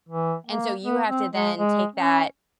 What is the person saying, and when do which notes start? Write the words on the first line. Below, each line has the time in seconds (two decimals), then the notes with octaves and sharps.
and so you have to then take that
0.09 E3
0.46 A#3
0.84 B3
1.08 C4
1.33 G#3
1.58 G#3
1.96 C#4